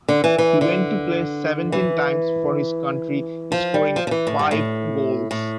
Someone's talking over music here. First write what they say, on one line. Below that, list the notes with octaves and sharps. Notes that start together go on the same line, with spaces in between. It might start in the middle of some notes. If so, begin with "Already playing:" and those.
He went on to play seventeen times for his country, scoring five goals.
D3
E3
E3
D3
E3
F3
G3
F3
F3
E3
A2
G2
A2
A2